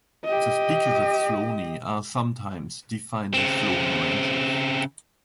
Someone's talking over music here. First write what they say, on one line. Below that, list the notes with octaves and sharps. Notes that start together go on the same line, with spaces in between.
The speakers of Sloaney are sometimes defined as Sloane Rangers.
G4 D#5
C#3 C4